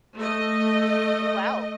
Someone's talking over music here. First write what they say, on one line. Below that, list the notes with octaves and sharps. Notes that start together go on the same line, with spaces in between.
Oh wow.
A3 D#5